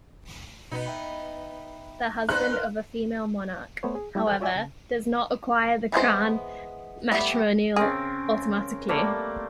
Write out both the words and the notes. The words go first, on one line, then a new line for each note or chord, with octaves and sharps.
The husband of a female monarch, however, does not acquire the crown matrimonial automatically.
B2 B3 D#4
E5 G5 B5
G2 D#4 C5 A#5 B5 F#6
A#4 C6 F6
A3 B3 C5 C#5
G#4
G3 E4 G4
A4 C5 F#5 G#5 F#6
F4 F#4 C#5 D5 E5 G#5
C#3
E3 G#3 B3 C5
G3 A3 B3 G4
C#3 C4 G#4 A#4
G3 A3 A#3